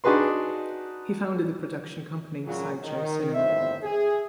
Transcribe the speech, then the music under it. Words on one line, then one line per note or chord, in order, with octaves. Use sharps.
He founded the production company Sideshow Cinema.
D4 D#4 F#4 G#4 B4 C6
A#2 C#3 F#3
D#3
G1 F2 A2 C5 E5
G#4